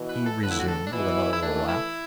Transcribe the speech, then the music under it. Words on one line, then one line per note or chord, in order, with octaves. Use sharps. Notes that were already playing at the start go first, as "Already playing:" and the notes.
He resumed with another little laugh.
Already playing: B2 E3
B4
A4
A2 D3 B4
E4
F#4
A4
D4
B2 E3 E4
E4
E3 A3 D4
E4